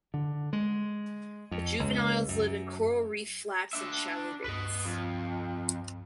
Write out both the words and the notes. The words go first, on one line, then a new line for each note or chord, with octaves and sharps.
The juveniles live in coral reef flats and shallow bays.
D3
G#3
F2
C#2
F#2
D4 E5
C#2 G2 B4 D#5
F2